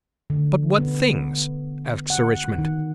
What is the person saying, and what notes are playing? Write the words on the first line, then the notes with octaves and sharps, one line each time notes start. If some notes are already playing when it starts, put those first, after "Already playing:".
"But what things?" asked Sir Richmond.
D3
B3
F#5
D#3